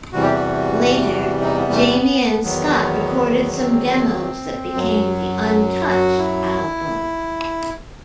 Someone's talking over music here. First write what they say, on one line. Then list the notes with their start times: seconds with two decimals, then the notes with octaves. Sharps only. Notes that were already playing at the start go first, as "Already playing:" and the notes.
Later, Jamie and Scott recorded some demos that became the "Untouched" album.
0.13 E2 C3 E3 G3 F#4
0.23 G4
0.32 F#4
1.42 D#4
1.57 B3
1.71 A3
1.85 B3
2.43 E2 D#3 F#3 B3
3.54 B3
3.58 C4
4.74 F#2 F#3
5.90 F#4
6.18 E4